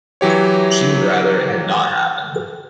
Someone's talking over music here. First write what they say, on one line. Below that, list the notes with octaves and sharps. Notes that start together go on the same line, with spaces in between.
She would rather it had not happened.
E3 F#3 G4 C#5